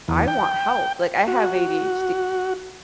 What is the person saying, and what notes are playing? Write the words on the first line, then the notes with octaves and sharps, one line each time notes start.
I want help, like I have ADHD,
E2
G5
F#4